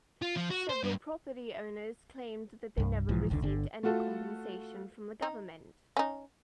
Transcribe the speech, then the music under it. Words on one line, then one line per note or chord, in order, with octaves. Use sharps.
Several property owners claimed that they never received any compensation from the government.
F4
F3
F#4
C5
G2
C2 G2
B1 G#2 E3 F3
F1 C#2 A2 D3
G1 D3
A3 F4 F#4 A4
D#4
C#4 D#4